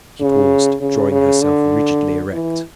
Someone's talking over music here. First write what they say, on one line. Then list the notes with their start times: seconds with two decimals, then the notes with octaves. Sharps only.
She paused, drawing herself rigidly erect.
0.20 C#3
0.81 C#3
1.11 C#3
1.41 D3
2.32 E3